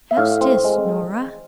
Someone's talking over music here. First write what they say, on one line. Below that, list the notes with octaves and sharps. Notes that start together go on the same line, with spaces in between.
"How's this, Norah?"
E5
A2 F5
C4
G#3